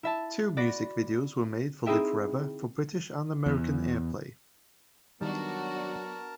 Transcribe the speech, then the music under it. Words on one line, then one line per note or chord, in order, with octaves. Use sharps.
Two music videos were made for "Live Forever" for British and American airplay.
E4 E5 A5
F#4 D5 B5 A#6
C4 D#4 E4 G#4 E5 G5
E2
D#3 F#3 G3 B3 D4 F#4 A#4 A5